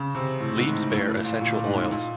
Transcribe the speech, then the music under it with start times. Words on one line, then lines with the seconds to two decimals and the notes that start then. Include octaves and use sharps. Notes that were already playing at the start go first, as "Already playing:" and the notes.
Leaves bear essential oils.
Already playing: C#3
0.15 C3
0.40 A2
0.56 G#2
0.73 A2
0.91 A2
1.07 A2
1.24 A#2
1.41 A#2
1.54 A#2
1.66 G#2
1.79 A#2
1.92 A#2